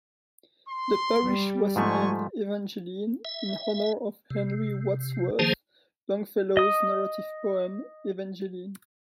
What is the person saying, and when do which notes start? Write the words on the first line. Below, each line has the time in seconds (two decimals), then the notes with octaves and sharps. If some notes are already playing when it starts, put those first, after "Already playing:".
The parish was named "Evangeline" in honor of Henry Wadsworth Longfellow's narrative poem, "Evangeline".
0.69 C6
1.23 G3
1.76 G#2 F3 A3 D4 G#5 C#6
3.25 E5
4.30 C3
5.39 D#3 F3 A#3 G#4 C5 A5
6.57 D#5 D#6